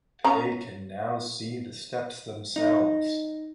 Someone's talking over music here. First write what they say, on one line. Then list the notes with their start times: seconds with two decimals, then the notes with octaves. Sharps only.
They can now see the steps themselves.
0.24 C#4 A#5
2.56 D#4